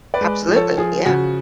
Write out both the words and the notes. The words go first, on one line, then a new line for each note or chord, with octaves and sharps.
Absolutely, yeah.
B4 D5
G#3
F3
A4 C#5
F3 G#4
C#3 F#4